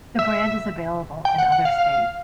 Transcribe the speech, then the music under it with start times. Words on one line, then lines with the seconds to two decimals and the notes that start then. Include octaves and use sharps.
The brand is available in other states.
0.19 E5
1.25 G5
1.38 F#5
1.52 F#5
1.65 F5
1.78 F5